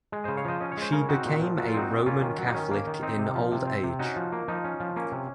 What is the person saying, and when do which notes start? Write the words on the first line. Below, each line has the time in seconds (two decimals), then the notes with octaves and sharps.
She became a Roman Catholic in old age.
0.12 G#3
0.24 C#3 C5 D#5
0.37 C#5 F5
0.45 F3 C5 D#5
0.60 C#4 D#5
0.72 C#5
0.77 G#3 C5
0.92 C#3 A#4 C#5
1.09 C4 D#4 F#4
1.25 A#2
1.42 F3
1.57 A#2 F#4
1.68 F4
1.74 C4 D#4 F#4
1.90 A#2
2.06 A#3 C#4 F4
2.22 D#3
2.38 F#3
2.46 D#4
2.54 D#3 C#4
2.71 A#3
2.87 D#3
3.03 C4 D#4
3.19 C3
3.35 F3
3.52 C3
3.67 C4
3.84 C3
3.99 C#4 D#4 F#4
4.16 F3
4.32 A#3
4.48 F3 D#4
4.64 C#4
4.80 F3
4.96 A#3 C#4
5.12 C3